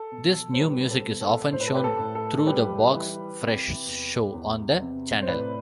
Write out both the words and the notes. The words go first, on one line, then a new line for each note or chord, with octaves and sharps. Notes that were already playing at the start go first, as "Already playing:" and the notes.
This new music is often shown through the 'Box Fresh' show on the channel.
Already playing: A4
B2
C5
G3 G4 B4
A4 C5
B2
A4 C5
A2 C5
B4
A4
G4 B4
A4
A2
A4
A4
G3 G4 B4
E3
C3
E2
E2
C3
C5
A2 B4 D5